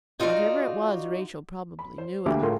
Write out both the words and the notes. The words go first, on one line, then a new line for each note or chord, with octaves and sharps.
Whatever it was Rachel probably knew it.
D#4 F4 F#4 D5
B5
C5
D2 G3 A#3 F#4 E5 D6
A2 F4 G#4 A#4 C6